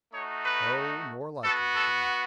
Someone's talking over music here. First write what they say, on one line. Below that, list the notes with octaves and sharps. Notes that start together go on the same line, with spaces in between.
No; nor likely to be.
A3 D#4 F#4 C#5
B4
B3 F#4 A4
A4